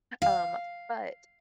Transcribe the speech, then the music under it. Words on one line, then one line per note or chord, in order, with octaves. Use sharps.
um, but,
F5